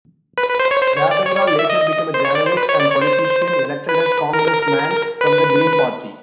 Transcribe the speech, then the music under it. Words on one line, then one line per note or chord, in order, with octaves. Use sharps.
Gabeira later became a journalist and politician, elected as congressman from the Green Party.
B4
B4
C5
C#5
C5
C#5
D5
C#5
C#5
D5
E5
D#5
C5
C#5
D5
C5
B4
C#5
D5
C#5
C5
B4
A#4
A#4
A#4
B4